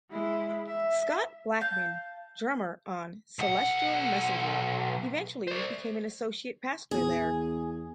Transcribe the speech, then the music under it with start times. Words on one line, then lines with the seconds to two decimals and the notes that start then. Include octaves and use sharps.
Scott Blackman, drummer on "Celestial Messenger", eventually became an associate pastor there.
0.10 G#3 E4
0.67 E5
1.61 F5 A5 G6
3.39 B1 F#5
5.48 C5 D5
6.91 E2 G#4